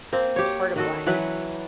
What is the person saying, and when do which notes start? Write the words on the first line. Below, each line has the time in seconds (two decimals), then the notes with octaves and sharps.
part of life,
0.12 A#3 C4
0.36 G4 C#5
0.76 D#3 F#4 A4
1.06 E3 F#3 B4 F#5